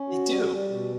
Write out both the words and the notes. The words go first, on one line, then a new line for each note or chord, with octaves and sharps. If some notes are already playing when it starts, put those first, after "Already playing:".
They do.
Already playing: C#4
F#4
G3
G3
B2